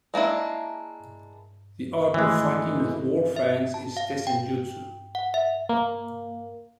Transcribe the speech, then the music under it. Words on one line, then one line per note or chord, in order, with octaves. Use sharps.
The art of fighting with war fans is tessenjutsu.
G#3 A#3 D4 E4
D#3 E3 G#3 A3
E4 A4
E5
A5
F5
G5
F#5
E5
A#3